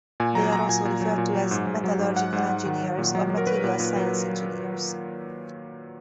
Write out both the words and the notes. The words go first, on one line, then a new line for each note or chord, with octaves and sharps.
They are also referred to as metallurgical engineers or material science engineers.
A#2 G#5
F#3 A#5
F#3 A#5
A#2 G#5
A#2
F#3
A#2
F#3
G#2
G#2
F#3
G#2
G#2 F#5
G#2
G#2
D#3
F#3
A#2
F#3
F#3
A#4
F#3 B4
A#2
A#2
F#3